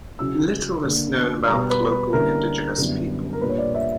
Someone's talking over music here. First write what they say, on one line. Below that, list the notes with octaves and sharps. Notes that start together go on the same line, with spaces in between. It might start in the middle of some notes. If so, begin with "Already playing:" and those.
Little is known about the local indigenous people.
C#3 F#3 C#4 E4 E6
D3 A#3 D4
B2 G3 B3 A#5
B4
B4
D3 G3 A#3 C#4 E4 A#4
F#2 D3 G3 B3 E4
A#4
A#2 G3 A#3 D4 B4
C#5
D5
E5